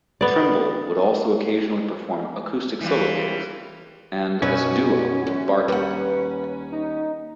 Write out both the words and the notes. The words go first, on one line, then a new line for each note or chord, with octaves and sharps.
Trimble would also occasionally perform acoustic solo gigs and as duo with Bartup.
B3 D5
E3 G3 F4
F#2 B2 F#3 C#4 D#4 F#4 B4
F#2
D#2 G3 B4 F#5
D#4